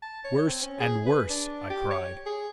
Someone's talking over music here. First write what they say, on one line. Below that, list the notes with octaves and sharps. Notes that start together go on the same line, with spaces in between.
"Worse and worse!" I cried.
A5
C#5
C4
C#4
G#4
B4
D4
G4
C#5
G#4